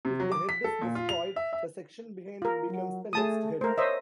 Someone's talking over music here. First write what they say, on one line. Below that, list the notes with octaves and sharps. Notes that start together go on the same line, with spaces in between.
If the head is destroyed, the section behind it becomes the next head.
C3
F#3
D6
B6
A4
A#2
F4
F7
E5
E5
F4 A#4
F#3
A3 G#4 A5 D#6
A3 A#4 C5
C5 C#5 D#5 E5